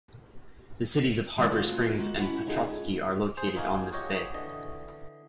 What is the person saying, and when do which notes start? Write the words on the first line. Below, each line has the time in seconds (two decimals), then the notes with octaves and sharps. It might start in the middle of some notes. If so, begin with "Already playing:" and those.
The cities of Harbor Springs and Petoskey are located on this bay.
1.37 D#3 G#3 B3 C4 E4
1.51 A3 F4 F#4 F5
1.99 G#3 A#3 F#4
2.20 C#4 E4 F#5
2.47 C4 C#4 D#4 F4 G#4 A4
3.37 G#4 C5
3.56 A#3 D#4 F4 F#4 G#4
3.93 F#4 G4 C#5 D#5
4.34 D3 E3 D#5